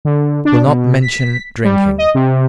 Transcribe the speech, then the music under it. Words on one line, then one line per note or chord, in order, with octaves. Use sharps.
Will not mention "drinking."
D3
D4
B2
B6
G3
D#5
C3